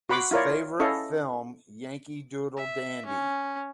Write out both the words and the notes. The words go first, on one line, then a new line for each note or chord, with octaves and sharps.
His favorite film, "Yankee Doodle Dandy".
F#4 F#5 B5 C6 D6
E4 F4 A#4 C#5 D5
C#4 E4 A4 D#5 F5 C#6
E5
C#4